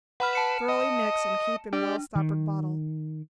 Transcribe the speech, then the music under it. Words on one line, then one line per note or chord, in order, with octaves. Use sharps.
Thoroughly mix and keep in well stoppered bottle.
B4 F#5 B5 F6
A5 C#7 E7
D#5
D4 G4 D5
D#3